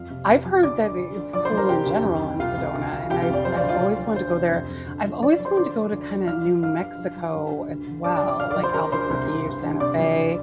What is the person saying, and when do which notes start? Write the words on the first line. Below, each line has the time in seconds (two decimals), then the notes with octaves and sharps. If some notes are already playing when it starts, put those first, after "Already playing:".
I've heard that it it's cool in general in Sedona, and I've I've always wanted to go there. I've always want to go to, kinda, New Mexico as well, like Albuquerque or Santa Fe,
Already playing: F2 F3 F5 F6
0.10 C3
0.28 F2
0.45 F3
0.63 D2 D5 D6
0.81 D3
0.98 D2
1.17 D3
1.33 F3 D5 D6
1.45 C5 C6
1.52 F3
1.57 A#4 A#5
1.69 C3 G4 G5
1.86 D2
2.04 F2
2.22 F2
2.39 C2 F4 F5
2.58 C2
2.74 D2
2.93 D2
3.10 C3 G4 G5
3.22 F4 F5
3.28 F2
3.33 D5
3.45 F3 C5
3.52 F5
3.57 D5
3.63 D2
3.69 F4 F5
3.81 D2 D5
3.99 F3
4.16 D2 C5
4.33 C3
4.52 F2
4.69 F2
4.87 D3
5.05 F3
5.22 F3 D5
5.33 D5
5.40 F3
5.45 C5 C6
5.57 D3 D5 D6
5.75 D3
5.92 D2
6.10 F3
6.27 F3 F5 F6
6.46 F3
6.63 G2 F5 F6
6.80 G2
6.98 F3
7.16 F3
7.34 G2
7.51 D3
7.68 D2
7.87 D3
8.04 G2 D5 D6
8.15 D5 D6
8.22 F3
8.27 D5 D6
8.40 D2 F5 F6
8.51 D5 D6
8.56 F3
8.63 C5 C6
8.74 D3 A#4 A#5
8.92 D2 C5 C6
9.10 C2
9.27 C2
9.45 G2
9.62 D3
9.80 C3 D5 D6
9.98 F3
10.16 D2